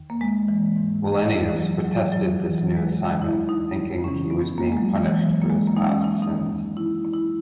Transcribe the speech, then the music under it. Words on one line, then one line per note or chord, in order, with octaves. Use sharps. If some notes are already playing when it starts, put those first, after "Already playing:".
Wallenius protested this new assignment, thinking he was being punished for his past sins.
Already playing: D#2 D#3
A#3
G#3
E3
G#2 E3
E3
F#3
G#2 D#3 F#3
F#3
E3
F#3
G#3
D#2 C#3 E3
E4
D#4
D#4
F#2 C#3 E3 C#4
B3
A#3
G#3
F#3
E3
E3
D#2 D#3 F#3
F#3
A#3
G#3
A#3
D#4
C#4
D#4
F#2 D#3 D#4
E4
E4